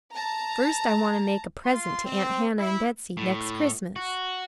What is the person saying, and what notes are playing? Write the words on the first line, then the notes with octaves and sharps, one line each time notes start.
"First, I want to make a present to Aunt Hannah and Betsey, next Christmas."
A5 A#5
F4 C6
C4
E4
A2
F#4